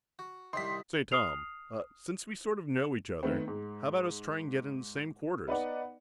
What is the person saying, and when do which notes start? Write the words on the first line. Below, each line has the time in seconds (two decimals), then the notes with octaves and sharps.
"Say, Tom--ah, since we sort of know each other, how about us trying to get in the same quarters?"
0.19 F#4
0.53 C2 C3 D#3 C6 B6
1.12 D#6 F6 C7 F7
3.23 D#3 A3 B3 C4
3.48 G#2
5.48 B3 D#4 B4 D5 F#5